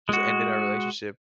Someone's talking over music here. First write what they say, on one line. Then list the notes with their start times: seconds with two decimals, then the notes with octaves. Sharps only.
just ended our relationship.
0.09 G#3 F#4